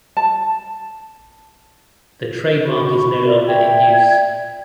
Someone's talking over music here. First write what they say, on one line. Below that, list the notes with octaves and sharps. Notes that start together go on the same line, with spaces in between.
The trademark is no longer in use.
A5
F#4 B5 C#6
F4 A#4 D5 E5
D5 E5 G5 G#6